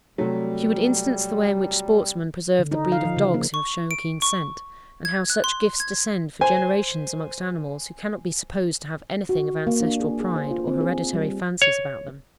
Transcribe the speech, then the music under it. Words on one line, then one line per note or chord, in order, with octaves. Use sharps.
She would instance the way in which sportsmen preserve the breed of dogs who have shown keen scent; and how such gifts descend for generations amongst animals, who cannot be supposed to have anything of ancestral pride, or hereditary fancies about them.
C3 F#3 G3 A3
D3
D#4
F5
F3
C#3
A#3
C#6
D7
C#6
G#6
F#6
C6
G#6
C5 G#5
F#4
A#3
D4
G#4
G#4
C5
F4
C4
G#4
G3
C#5